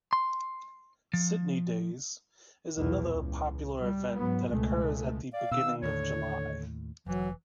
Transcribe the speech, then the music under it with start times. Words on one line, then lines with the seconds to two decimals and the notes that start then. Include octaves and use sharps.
"Sidney days" is another popular event that occurs at the beginning of July.
0.13 C6
1.13 F3
2.78 B1 E2 A#2
3.09 C#2
3.82 G3
4.16 G#2 F#3 B3
4.47 C#2 B2 G#3 A3
5.33 D5 F5
5.51 B2 D#3 E6
5.82 D#2 A2 D3 C#5
7.07 F1 E3 F#3